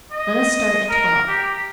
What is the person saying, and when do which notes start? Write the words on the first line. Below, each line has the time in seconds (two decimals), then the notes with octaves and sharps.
Let us start at twelve.
0.12 D#5
0.89 A#4
1.28 G4